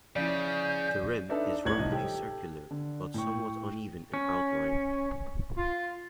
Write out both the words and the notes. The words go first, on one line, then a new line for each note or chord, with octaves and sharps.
The rim is roughly circular but somewhat uneven in outline.
C#3 F3 C#4 E4 D5 G6
D4 D#4 A4 B4 D5 E5
A1 A2 C#5 G#6 F#7
C2 D#3 F3 D#5
G4 A4
D3
A2 G5 C#6
C#4
F4